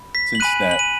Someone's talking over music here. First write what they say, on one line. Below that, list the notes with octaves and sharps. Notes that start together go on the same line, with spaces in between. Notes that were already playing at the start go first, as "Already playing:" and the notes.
since that
Already playing: B5
B6
F#7
G#5 B5 F#6 D#7
F#7
D#7